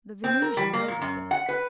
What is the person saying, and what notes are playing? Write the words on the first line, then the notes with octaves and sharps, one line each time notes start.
The Venusian noted this.
C4
A#4
G3
A#3
A#2
F#2
F#5
B4